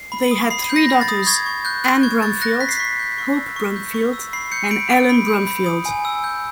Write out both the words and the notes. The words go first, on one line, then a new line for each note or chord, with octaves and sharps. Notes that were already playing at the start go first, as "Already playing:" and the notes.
They had three daughters, Ann Bromfield, Hope Bromfield and Ellen Bromfield.
Already playing: C7
B5
D#6
B5 C7
G6
A#6
B5
A6
D#6
C#6 G#6
C#6
F#6 G6
F#6
C#6 G#6
C#6 A6
F#6 A#6
F#6 B6
C7
C#6 B6
G6
C#6
E6
C#6
G6
C#6
E6
B5 C7
G6 C#7
B5 D7
D#6 D7
B5
G6
B5
D#6
G#5
E6
G6